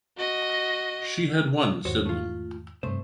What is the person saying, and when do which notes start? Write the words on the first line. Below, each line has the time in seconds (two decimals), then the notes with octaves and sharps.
She had one sibling.
0.17 F#4 D#5
1.85 E2 G#2 D#3 F#4 C5 C#5
2.06 A3 F4
2.83 G2 C3 A3 C5